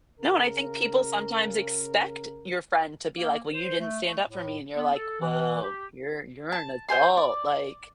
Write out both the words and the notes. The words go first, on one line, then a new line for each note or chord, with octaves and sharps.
No, and I think people sometimes expect your friend to be like, "Well, you didn't stand up for me," and you're like, "Whoa, you're you're an adult," like
C#3 A#4
A#3
C5
A3
A3
A2
B3
A4
E3
G4
A5
C5 G5 G#5 C6
D5